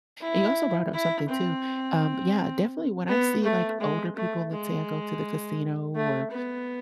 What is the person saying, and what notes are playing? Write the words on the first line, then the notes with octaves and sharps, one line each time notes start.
And you also brought up something too. Um, yeah, definitely, when I see, like, older people, let's say I go to the casino or
E4
E4
C4
B3
A3
G#3
A3
G#3
A3
B3